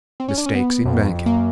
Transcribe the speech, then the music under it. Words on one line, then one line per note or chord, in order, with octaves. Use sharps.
Mistakes in Banking.
C4
C#4
D4
C#4
B3
F#2
F2
F#2 A#3